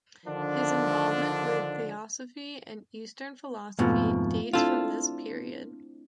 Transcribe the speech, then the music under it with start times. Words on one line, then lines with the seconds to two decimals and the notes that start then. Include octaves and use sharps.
His involvement with theosophy and Eastern philosophy dates from this period.
0.26 D3 D#3 F3 D4
3.79 F2 G#2 B2 A3 F4
4.53 C4 D4 E4 F4 A4